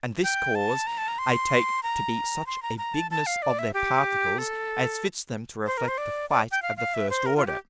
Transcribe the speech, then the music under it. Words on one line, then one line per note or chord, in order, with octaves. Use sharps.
And this Cause I take to be such a Bigness of their Particles as fits them to reflect the white of the first order.
G5
A5
A#5
A5
A#5
C6
A#5
C6
A#5
A#5
A5
A5
F5
D5
E5
G4
A4
C5
A#4
C5
D5
D5
G5
F5
F5
E5
C5
A#4
F4
G4